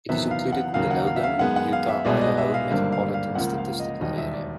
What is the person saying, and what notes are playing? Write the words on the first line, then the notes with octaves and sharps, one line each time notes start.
It is included in the Logan, Utah-Idaho Metropolitan Statistical Area.
E2 C3 D#3 F#3 B3 E5
F5
F#5
D#2 C#3 F#3 A#3 F5
F#5
F5
E5
F5
F#2 D#3 G#3 B3 F#5
F#5
F5
E5
C2 B2 G#3 B3 D5
D5
D#5
E5
F5
G#1 G2 D3 G3 A#3 F5
F5
F5
C#2 C#3 F3 A#3 F#5
F5
D#5
E1 D#2 D#3 G3 D#5
E5
D5